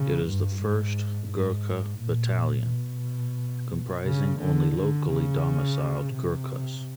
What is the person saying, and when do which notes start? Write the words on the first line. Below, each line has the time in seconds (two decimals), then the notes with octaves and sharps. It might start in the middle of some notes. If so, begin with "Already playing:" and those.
It is the first Gorkha battalion comprising only locally domiciled Gurkhas.
Already playing: C#3
0.28 G2
0.62 G#2
1.31 G#2
2.00 A#2
2.68 B2
4.06 C#3
4.41 D3
4.76 D3
5.10 C#3
6.14 C3